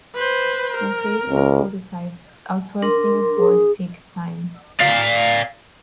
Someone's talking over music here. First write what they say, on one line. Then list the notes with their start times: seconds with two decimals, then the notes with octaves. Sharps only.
When creating a prototype, outsourcing a board takes time.
0.15 B4 C5
0.76 A#4
1.30 C#2
2.82 D4 A#4 C6
3.37 G#4
4.80 D5 F5